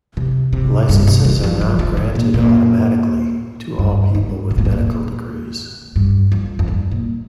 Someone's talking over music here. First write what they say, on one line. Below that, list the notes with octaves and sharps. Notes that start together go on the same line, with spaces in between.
Licenses are not granted automatically to all people with medical degrees.
C3
C3
G2
C3
D#3
F3
F3
F3
D#3
A#2
A#2
G2
G2
C3
A#2
G2
A#2
G2
F2
F2
G2
A#2